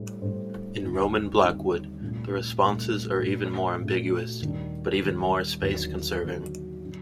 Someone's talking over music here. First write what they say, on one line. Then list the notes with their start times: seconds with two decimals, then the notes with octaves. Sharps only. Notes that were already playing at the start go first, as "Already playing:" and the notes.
In Roman Blackwood, the responses are even more ambiguous, but more space-conserving.
Already playing: A2 G3 D4 A4 C5
0.21 A2 G3 D4 A4 C5
0.82 D#2 D3 G3 C4 D#4
1.42 D#2 D3 G3 C4 D#4
2.01 C2 A#2 A3 D4
2.62 C2 A#2 A3 D4
3.21 A#2 A3 D4 F#4
3.82 A#2 A3 D4 F#4
4.41 D#2 D#3 G3 D4
5.01 D#2 D#3 G3 D4
5.61 D#2 D3 F#3 A#3 F#4
6.21 D#2 D3 F#3 A#3 F#4
6.83 D3 F#3